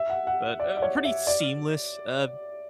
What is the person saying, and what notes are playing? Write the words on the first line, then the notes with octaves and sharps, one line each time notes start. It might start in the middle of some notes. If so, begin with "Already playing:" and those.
But, um, pretty seamless, um,
Already playing: E5
F#5
F#5
D5
D5
C#5
E5
D5